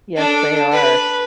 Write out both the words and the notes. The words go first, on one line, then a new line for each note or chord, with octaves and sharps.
Yes, they are.
D4 A4
B4